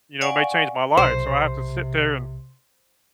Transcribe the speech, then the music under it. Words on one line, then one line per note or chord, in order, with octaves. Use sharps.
you know, may change my life, so I have to sit there and
D5 F5 F#5 G#5 C#6
B1 C3 C5